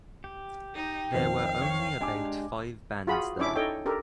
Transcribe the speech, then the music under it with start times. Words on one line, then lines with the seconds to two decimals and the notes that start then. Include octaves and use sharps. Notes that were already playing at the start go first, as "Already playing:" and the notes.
There were only about five bands there.
0.24 G4
0.75 D#4 G5
1.14 F2 D#3 C5 F5
1.62 C#5 C#6
2.01 G#3 D4 G4 G#5 D6
3.07 F4 F#4 G#4 B5
3.39 C#4 D4 E4 E5 D6
3.56 D#4 A4 C#5 D#5 G5
3.86 D4 G4 A4 A#4